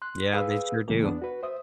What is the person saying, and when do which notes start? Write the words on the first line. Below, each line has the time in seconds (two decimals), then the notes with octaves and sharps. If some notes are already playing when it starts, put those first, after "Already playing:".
Yeah, they sure do.
0.02 C6 F#6
0.34 G#4 B4 F5 D#6 E6
0.88 C2 C#3 E3 G3 A#3
1.03 E2 B3 D4
1.22 F#4 B4
1.43 C5 E5 D#6